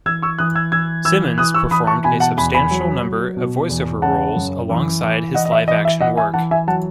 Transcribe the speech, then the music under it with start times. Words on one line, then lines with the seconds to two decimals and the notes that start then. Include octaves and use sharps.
Simmons performed a substantial number of voice-over roles alongside his live action work.
0.06 E3 E6 G#6
0.22 C#6 E6
0.38 E3 D#6 F#6
0.55 E6 G#6
0.72 E3 E6 G#6
1.05 E3 E6 G#6
1.38 E3 D#6 F#6
1.54 C#6 E6
1.71 E3 B5 D#6
1.87 A5 C#6
2.04 B2 G#5 B5
2.20 F#5 A5
2.37 E2 G#5 B5
2.54 G#5 B5
2.71 F#3
3.03 F#3
3.37 B2
3.69 E2
4.02 C#3 F#5 A5
4.36 F#2
4.69 E3
5.03 E3
5.35 E3 D#5 F#5
5.45 D#5
5.52 E5
5.68 E3 D#5
5.85 E5
6.01 E3 D#5 F#5
6.17 E5 G#5
6.34 E3 F#5 A5
6.51 E5 G#5
6.67 F#3 F#5 A5